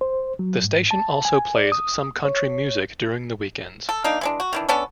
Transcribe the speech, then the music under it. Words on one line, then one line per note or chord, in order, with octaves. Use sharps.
The station also plays some country music during the weekends.
C5
F#3
G#2
A5
G#5
D5
D#6
C#5
A4
A#3 D4 D#4
E3 G#3 D4
F#4
D#3 E3 D4
B3 C#4 D4 A4